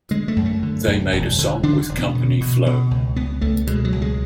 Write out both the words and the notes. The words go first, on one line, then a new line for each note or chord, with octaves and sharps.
They made a song with Company Flow.
D3 G#3
A3
F#2
A3
D3
F#2
E1
D3
D3 D4
E1
B3
B2
B2
B2
C#2
C#2 B3
C#2 A3
B2 G#3
F#3
C#2
G#3